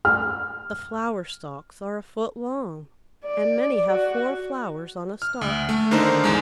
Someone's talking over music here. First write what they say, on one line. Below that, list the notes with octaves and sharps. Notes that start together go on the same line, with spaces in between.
The flower-stalks are a foot long, and many have four flowers on a stalk.
F6
D5
F#4
F6
D2
A3
D3 D#3 A#3 D4 D#4 C5
A1 E2 G#3